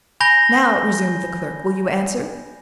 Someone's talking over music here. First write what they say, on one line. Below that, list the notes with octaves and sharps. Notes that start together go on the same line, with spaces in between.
"Now," resumed the clerk, "will you answer?"
G#5 B5 G6 A#6 G7